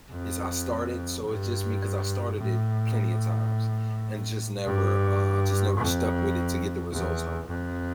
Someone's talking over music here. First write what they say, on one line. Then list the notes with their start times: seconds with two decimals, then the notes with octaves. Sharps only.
is I started so it's just me 'cause I started it plenty of times and just never, uh, just never stuck with it to get the results I want,
0.11 F2
1.25 G2
2.38 A2
4.65 G2
5.78 F2
6.92 E2
7.48 F2